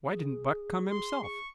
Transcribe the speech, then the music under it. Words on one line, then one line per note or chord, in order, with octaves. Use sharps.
"Why didn't Buck come himself?"
G#4
C6
C#6